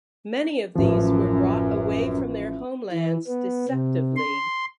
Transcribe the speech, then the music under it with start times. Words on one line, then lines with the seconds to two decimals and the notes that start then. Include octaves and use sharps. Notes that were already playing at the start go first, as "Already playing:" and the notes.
Many of these were brought away from their homelands deceptively.
0.75 A1 F#2 F3
2.92 E3
3.28 B3
3.68 C3
4.16 C6